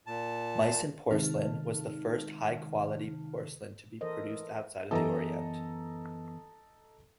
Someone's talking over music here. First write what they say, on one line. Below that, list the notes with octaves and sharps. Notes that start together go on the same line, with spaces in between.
Meissen porcelain was the first high-quality porcelain to be produced outside of the Orient.
A#2 A5
C3 D#3 G#3 D#4 A5 F6
E3 A4 A#4 C5 D#5
F#2 E3 B3 A4 D#5 A#5